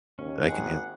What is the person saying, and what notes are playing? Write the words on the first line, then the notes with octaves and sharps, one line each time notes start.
I can hea
D#2 C#4
G#1 G#4 F#5